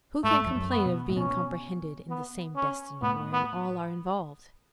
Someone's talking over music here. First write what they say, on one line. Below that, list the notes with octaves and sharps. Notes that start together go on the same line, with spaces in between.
Who can complain of being comprehended in the same destiny, wherein all are involved?
G#2 A3
F2
F#2
B3
B2
A2
B2 C#4
B3
C#4
A2 B3
B3